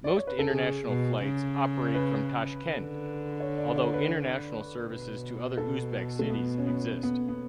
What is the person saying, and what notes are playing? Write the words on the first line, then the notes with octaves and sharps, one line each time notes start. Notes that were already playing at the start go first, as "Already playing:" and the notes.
Most international flights operate from Tashkent, although international services to other Uzbek cities exist.
D5
C#5
B4
A4
C#3 G#4
B2
C#3
B4
D3
C#5
D5
C#5
B4
B2
A4
A3
B3
C#4
B3
B3
B3